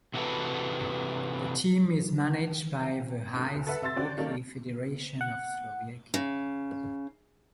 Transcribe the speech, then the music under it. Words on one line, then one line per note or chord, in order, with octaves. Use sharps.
The team is managed by the Ice Hockey Federation of Slovakia.
C3 E3 F#4 A4 B4
D3 C4
D2
A4 B4 E5 F#5
C3 E5 C6 A6
C#4 D4 F#4 G4 C5 D5
D#3 F#3 A#3 C#4 A4 D5
F#5
C#3